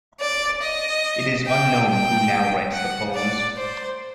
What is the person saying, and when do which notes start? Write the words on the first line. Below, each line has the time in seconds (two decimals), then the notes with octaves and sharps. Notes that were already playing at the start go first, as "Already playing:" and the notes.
It is unknown who now writes the poems.
0.21 D5
0.62 D#5
1.46 G5
1.88 G5
2.73 F#5
3.14 D5
3.56 C5